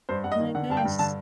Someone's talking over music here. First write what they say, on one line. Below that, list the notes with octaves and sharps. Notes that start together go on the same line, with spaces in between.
Oh my gosh.
G2 C5
G2 F#5
D#5
D#3
D3 F#5
G2 A5
G5
G2
D3 A5